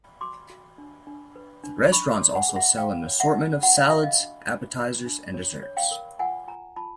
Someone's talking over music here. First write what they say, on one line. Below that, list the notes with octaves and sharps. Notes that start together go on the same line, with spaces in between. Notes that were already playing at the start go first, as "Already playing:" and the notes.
The restaurants also sell an assortment of salads, appetizers, and desserts.
F#4 C6 D6
F#4
D4
D4
B4
D4
D#4 B5 C#6
C6 D6
C#5
F#5 G#5
G#4
E5 F#5
D#4 F5 G5
C#5
E5 F#5
D#4
F#4 F#5
F5
F#4 E5
D#5 F5
D4
D4
F#4
D4
C#5
C#5
F5 G5
A#4
F4 F#5 G#5
F4 G#5 A#5
F4 A5 B5